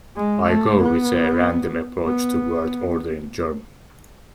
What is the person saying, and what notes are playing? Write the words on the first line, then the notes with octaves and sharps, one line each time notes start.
I go with a random approach to word order in German.
G#3
A3
B3
B3